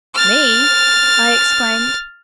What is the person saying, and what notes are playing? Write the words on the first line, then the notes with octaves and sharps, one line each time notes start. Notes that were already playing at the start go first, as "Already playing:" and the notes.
"Me!" I exclaimed.
F6 A6